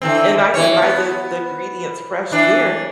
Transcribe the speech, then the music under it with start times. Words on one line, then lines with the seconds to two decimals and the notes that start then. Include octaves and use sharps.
and I can buy the the ingredients fresh there
0.02 D3 E3 C4
0.54 E3 C#5
0.82 B3
2.32 E3 D4